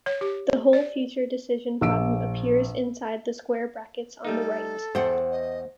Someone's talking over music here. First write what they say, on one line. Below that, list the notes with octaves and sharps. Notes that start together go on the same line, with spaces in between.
The whole future decision problem appears inside the square brackets on the right.
C#5
G4
D5
A#1 E6 D7
G3 A3 D#4 A4
E2 C5 F#5 G5
D#5